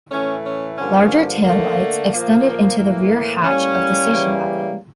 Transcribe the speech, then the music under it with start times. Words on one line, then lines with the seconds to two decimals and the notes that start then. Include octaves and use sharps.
Larger taillights extended into the rear hatch of the station wagon.
0.11 A2 E3 A3 C#4
0.45 C#4
0.78 G2 D3 F3 A#3 C#4
1.44 D3 A3 A#3
2.11 A#2 F3 A#3
2.77 A2 E3 A#3
3.44 A2 G3 A#3 C#4
4.10 C#3 E3 G3 A#3